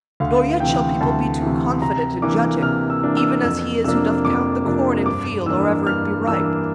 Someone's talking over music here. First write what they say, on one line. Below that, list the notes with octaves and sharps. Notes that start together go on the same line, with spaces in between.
Nor yet shall people be too confident In judging, even as he is who doth count The corn in field or ever it be ripe.
D2 F5
C3 E3 G5
D2 A5
C3 E3
C3 A#5
E3 A#3 D4 D6
C3 F6
E6
E3 A#3 D4
E6
F2 E6
C3 F3 A#3 D4 E6
F2 D6
C3 F3 A#3 D4
G2 D6
E3 A#3 D4 E6
G2 F6
E3 A#3 D4 E6